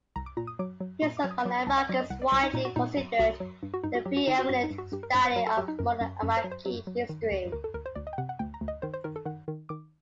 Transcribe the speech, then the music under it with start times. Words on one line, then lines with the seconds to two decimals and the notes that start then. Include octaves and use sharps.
His work on Iraq is widely considered the pre-eminent study of modern Iraqi history.
0.16 C2 A#5
0.26 D6
0.37 A#2 A#5
0.47 D#6
0.59 F#3 D6
0.80 F#3
1.02 A#2 C6
1.17 D6
1.24 F#3
1.31 D#6
1.45 F#3 D6
1.67 C2 A5
1.78 F#5
1.89 F#3 D5
2.00 D#5
2.10 C2 F#5
2.22 D5
2.32 C2 C5
2.43 D#4
2.54 A#2 D#4
2.65 F#4
2.76 A#2 D#4
2.97 F#3
3.19 C2 F#4
3.40 F#3
3.63 G2
3.74 F#4
3.83 G2 D#4
3.95 F#4
4.05 F#3 G4
4.17 F#4
4.27 D3 D#4
4.38 F#4
4.49 G2 F#4
4.63 D#4
4.71 G2
4.78 F#4
4.92 G2 G4
5.03 A#4
5.14 G2 C5
5.25 C5
5.36 F#3 A#4
5.47 A4
5.57 F#3 G4
5.68 D#4
5.79 F#2 A#4
6.01 F#2
6.23 F#2
6.37 C5
6.44 F#3
6.51 C5
6.66 F#3
6.87 F#3
7.09 D#3
7.31 D2
7.52 D2 A#4
7.64 A4
7.74 D2 A#4
7.86 C5
7.95 D2 D5
8.07 D#5
8.13 G5
8.18 C3 F#5
8.29 F#5
8.39 D2 G5
8.54 A#5
8.61 D2
8.68 D#5
8.82 D#3 C5
8.94 C5
9.04 D#3 A#4
9.16 A4
9.26 D#3 F#5
9.48 D#3
9.69 D#3 D6